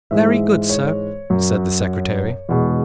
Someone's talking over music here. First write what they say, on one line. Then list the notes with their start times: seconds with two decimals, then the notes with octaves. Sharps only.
"Very good, sir," said the secretary.
0.11 G#2 E3 G#3 E5
0.70 C#5
1.30 F#2 F#3
2.49 E2 B2 G#3